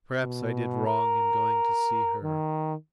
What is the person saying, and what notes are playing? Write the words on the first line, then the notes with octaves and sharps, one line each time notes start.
Perhaps I did wrong in going to see her.
B2
A#4
D#3